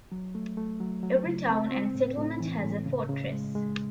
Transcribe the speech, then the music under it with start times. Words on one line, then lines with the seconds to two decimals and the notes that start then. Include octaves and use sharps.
Every town and settlement has a fortress...
0.12 F#3
0.35 A3
0.57 A3
0.80 F#3
1.03 F#3
1.26 C#3
1.49 C4
1.72 C4
1.95 A2
2.18 A2
2.40 E3
2.64 A2
2.86 C#3
3.09 C#3
3.32 G#3
3.55 G#3